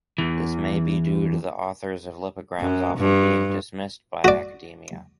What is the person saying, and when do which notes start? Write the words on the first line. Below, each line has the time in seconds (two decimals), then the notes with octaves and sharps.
This may be due to the authors of lipograms often being dismissed by academia.
0.18 E2 E3
2.60 F#2
2.98 G2
4.24 F#4 D5